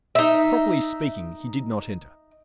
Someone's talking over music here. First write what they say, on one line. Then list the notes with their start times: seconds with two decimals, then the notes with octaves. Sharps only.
Properly speaking, he did not enter.
0.15 D#4 E5